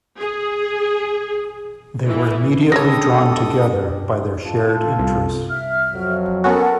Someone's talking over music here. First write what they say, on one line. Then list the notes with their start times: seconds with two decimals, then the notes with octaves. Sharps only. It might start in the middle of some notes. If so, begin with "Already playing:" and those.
They were immediately drawn together by their shared interests.
0.19 G#4
2.06 E3
2.72 G3 G#3 D4 A4 C#5 D#6 A#6
4.46 F4 A4
4.99 C2
5.49 E5 F6
5.94 F2 F#3
6.44 B3 C#4 F#4 A4 A#4 F#5